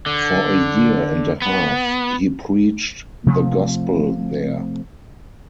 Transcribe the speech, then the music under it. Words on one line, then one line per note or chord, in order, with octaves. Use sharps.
For a year and a half he preached the Gospel there.
D3
B3
C3 F3 A3 C4